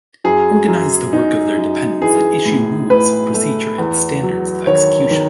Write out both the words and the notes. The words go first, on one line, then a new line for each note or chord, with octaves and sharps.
Organize the work of their dependents and issue rules of procedure and standards of execution.
F#2 G#4
F#2
D#4
F#2
E3 G#4
A2
A2 B4
A3
E2
F#3
D#3 C#5
D#3